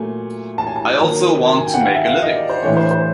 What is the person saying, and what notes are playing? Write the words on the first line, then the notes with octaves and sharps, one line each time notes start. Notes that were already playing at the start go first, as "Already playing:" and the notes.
I also want to make a living.
Already playing: A#2 F#3 A3 G#5
A5
G#5
A5
D#3 F#3 A#3
G#5
G5
F#5
F5
E5
F5
D#5
D5
C5
A2 E3 A3 D4 C#5
C5
C5